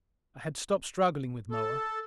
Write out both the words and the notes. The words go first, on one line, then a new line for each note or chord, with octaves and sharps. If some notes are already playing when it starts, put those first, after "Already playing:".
I had stopped struggling with Moa.
A4